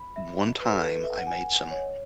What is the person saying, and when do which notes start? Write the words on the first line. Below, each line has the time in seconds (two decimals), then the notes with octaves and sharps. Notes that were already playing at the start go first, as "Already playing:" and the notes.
one time, I made some
Already playing: B5
0.16 E5
0.49 D#5
0.60 B4
0.71 A4
0.83 B4
0.94 D#5
1.04 E5
1.16 F#5
1.27 G#5
1.38 G#5
1.60 D#5
1.71 C#5